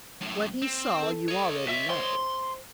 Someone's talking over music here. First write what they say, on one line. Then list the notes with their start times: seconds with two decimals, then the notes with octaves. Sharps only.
What he saw you already know.
0.21 F#2 A2
0.62 C4
1.03 A4
1.28 C#5 D#5
1.68 E5
1.90 C5 C6